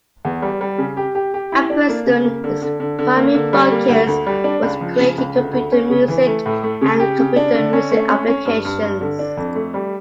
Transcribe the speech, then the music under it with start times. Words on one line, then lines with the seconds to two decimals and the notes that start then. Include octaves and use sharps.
At Princeton, his primary focus was creating computer music and computer music applications.
0.25 E2
0.42 G3
0.61 G3
0.78 C#3
0.97 G4
1.15 G4
1.34 G4
1.52 E4
1.70 D4
1.89 A#3
2.06 C#3
2.25 A#3
2.44 D3
2.62 D3
2.80 D3
2.99 D3
3.17 A#3
3.35 D3
3.53 G3
3.71 A#3
3.89 D2
4.07 D2
4.27 G3
4.44 D4
4.63 C#2
4.81 F3
4.99 C#3
5.18 C#2
5.35 D2
5.53 D2
5.72 C#4
5.90 C#3
6.08 E3
6.27 A3
6.46 A2
6.63 A3
6.81 C#3
7.00 G4
7.19 C#3
7.36 D4
7.55 D3
7.73 C#4
7.91 A3
8.09 C#4
8.28 C#4
8.45 G2
8.65 G2
8.82 G2
9.01 D3
9.19 D4
9.37 F2
9.55 A3
9.74 G3